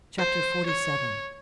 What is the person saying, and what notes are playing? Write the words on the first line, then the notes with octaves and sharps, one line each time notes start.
Chapter XLVII.
C5
C#5